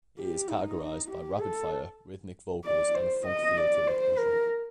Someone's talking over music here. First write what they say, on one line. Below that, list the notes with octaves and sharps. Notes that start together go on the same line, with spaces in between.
It is characterized by rapid-fire, rhythmic vocals and a funk feel to the percussion.
G4
D#4
G4
A4
D5
C5
D#5
D5
C5
A#4